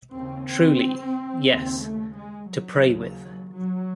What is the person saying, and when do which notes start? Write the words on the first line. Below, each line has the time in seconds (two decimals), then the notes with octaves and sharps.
Truly, yes, to pray with.
0.12 D#2 C#3 C4
0.47 C4
1.48 D#2 C#3 C4
1.82 A3
2.16 G#3
2.50 F#3
2.84 D#2 C#3
3.52 F#3